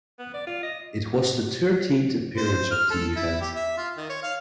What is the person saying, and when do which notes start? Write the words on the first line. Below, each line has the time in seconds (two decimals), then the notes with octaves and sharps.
It was the thirteenth appearance of the event.
0.19 B3
0.34 D5
0.47 F4
0.63 D#5
2.37 C5
2.71 F6
2.90 A4
3.16 E4
3.41 G4
3.56 E5
3.77 F4
3.97 D#3
4.09 C#5
4.23 F5